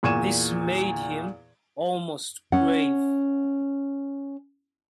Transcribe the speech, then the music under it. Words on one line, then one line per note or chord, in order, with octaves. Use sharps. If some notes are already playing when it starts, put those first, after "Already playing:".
This made him almost grave.
E2 A#2 C#6 G#6 D#7 E7
C#4 F#5